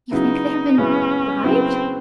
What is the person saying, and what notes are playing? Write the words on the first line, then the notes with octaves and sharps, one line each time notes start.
"You think they have been, bribed?"
C#3 F#3 B3 D#4 E4
C#3 F#3 B3 C#4 E4
C#3 F#3 B3 C4 E4